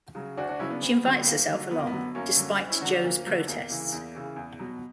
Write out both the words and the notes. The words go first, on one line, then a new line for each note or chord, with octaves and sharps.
She invites herself along, despite Joe's protests.
C#3 F#3
D2 D4 F#4
D4 F#4
C#3 F#3 C#4 E4
B3 D4
D2 B3
D3 F#3
B3
D2 A#3
D3 F#3
F#2 B3
A#3
B3
D3 F#3
F#2 A#3 C#4
D3 F#3
D2
C#4 E4
D3 F#3 D4 F#4
D4 F#4
D2 A#3
D3 F#3
E2 A#3
C#3 E3
E2
C#3 E3
E2
B2 F#3